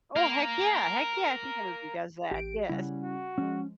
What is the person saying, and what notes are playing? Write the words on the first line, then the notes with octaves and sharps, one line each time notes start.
Oh, heck yeah, heck yeah, I think everybody does that yes.
A#4 F5
A1 G4 D7
C#3 G3 C#4 E4 F#5
F#4
F3 G#3 C#4